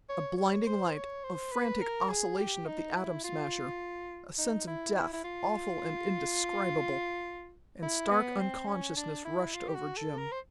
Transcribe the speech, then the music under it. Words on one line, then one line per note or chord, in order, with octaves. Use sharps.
A blinding light, a frantic oscillation of the Atom Smasher, a sense of death, awful and indescribable--and stark unconsciousness rushed over Jim.
C#5
C#5
C5
C#5
C5
B4
A#4
G#4
G4
D#4
E4
F4
D#4
E4
E4
E4
F4
E4
B3
C4
C#4
D4
E4
F4
G4
F#4
A4
A#4
C5